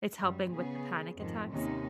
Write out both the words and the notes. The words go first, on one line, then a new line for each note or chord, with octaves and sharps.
It's helping with the panic attacks?
F#2 G3
C#3 B3 G#4
F2 G#2 D#3 F3
D#2 C3 D#3 C#4 D#4